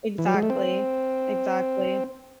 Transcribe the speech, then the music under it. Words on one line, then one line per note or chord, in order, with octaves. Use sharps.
exactly, exactly.
E3
F#3
G#3
A3
C4